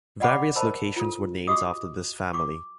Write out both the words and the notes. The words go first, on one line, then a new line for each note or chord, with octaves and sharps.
Various locations were named after this family.
D5 D#5 F#5 B5 C#6 D6
A#4 C5 D#5 A5 B5
F4 A4
F#4 G4 D#5 D6 D#6
C#6 D6